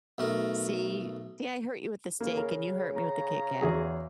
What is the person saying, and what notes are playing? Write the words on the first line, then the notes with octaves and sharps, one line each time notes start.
See see, I hurt you with the steak and you hurt me with the KitKat.
B1 A3 A#4
C#3 A#3
A#4
A#5
E2 F#4 G#4